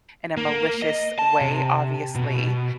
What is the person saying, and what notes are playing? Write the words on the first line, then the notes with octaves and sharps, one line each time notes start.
in a malicious way, obviously."
A#3
D#5
A5
C3
B2
B2